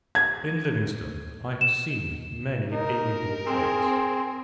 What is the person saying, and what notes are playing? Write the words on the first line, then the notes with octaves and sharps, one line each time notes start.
In Livingstone I have seen many amiable traits.
G#6
E7
D#4 A#4
C4 G#4